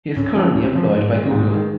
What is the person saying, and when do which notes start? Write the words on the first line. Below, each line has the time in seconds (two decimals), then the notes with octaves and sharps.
He is currently employed by Google.
0.16 F#2
0.35 C#3 F3
0.54 F#2
0.74 C#3 F3
0.93 G#2
1.12 D#3 G#3
1.31 G#2
1.50 D#3 G#3